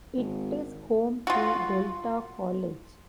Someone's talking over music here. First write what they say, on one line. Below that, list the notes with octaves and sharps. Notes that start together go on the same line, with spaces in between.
It is home to Delta College.
G#1
F4 F#4